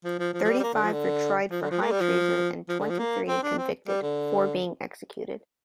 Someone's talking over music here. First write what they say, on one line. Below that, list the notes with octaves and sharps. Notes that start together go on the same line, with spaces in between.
Thirty-five were tried for high treason and twenty-three convicted; four being executed.
F3
F3
F3
F3
G3
G3
A#3
D3
F3
D3
F3
D3
F3
A#3
G3
F3
F3
D3
F3
A#3
C4
D4
C4
G3
D3